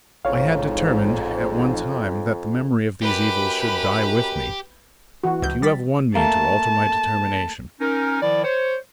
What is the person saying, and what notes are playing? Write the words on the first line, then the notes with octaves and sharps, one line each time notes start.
I had determined at one time that the memory of these evils should die with me, but you have won me to alter my determination.
A1 F2 G#2 C#5 F5
F#2 G4 B4 B5
E3 F#4
C#2 G6
G3 A6 B6
A3 A#3 A5
C#4 D#4 A#4
D#3 F3 E4 D5
C5 C#5